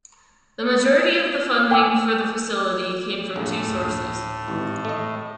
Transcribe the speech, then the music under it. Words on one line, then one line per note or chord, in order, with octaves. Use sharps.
The majority of the funding for the facility came from two sources.
G5 G#5 D6 E6
A#1 A2 F4 G#4 A4
D2 A4
G#1 E3 G4
A3 D#5 E5